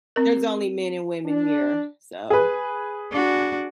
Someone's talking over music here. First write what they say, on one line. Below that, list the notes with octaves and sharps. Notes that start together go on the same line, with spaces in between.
There's only men and women here. So
C4 A#4
D4
G#4 B4
D4 F#4